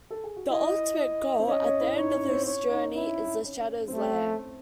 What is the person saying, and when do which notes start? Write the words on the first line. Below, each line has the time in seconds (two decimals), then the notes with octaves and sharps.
The ultimate goal at the end of this journey is "The Shadow's Lair".
0.11 A4
0.24 G#4
0.36 F#4
0.50 E4 D#5
0.98 D#5
1.39 C4
1.48 C#4 D#5
1.64 C#4
1.81 E4
1.97 D#4 C#5
2.13 C#4
2.30 C4
2.45 C#4 C#5
2.71 D#4
2.95 C#4 E4
3.44 C#4
3.60 C#4
3.77 C#4
3.88 C4
3.93 A3
3.99 C#4